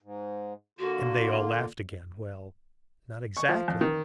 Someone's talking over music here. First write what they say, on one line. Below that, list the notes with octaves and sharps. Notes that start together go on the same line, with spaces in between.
And they all laughed again; well, not exactly!
G#2
D3 A#3 F4 F#4
C#6
F3
F2
D#3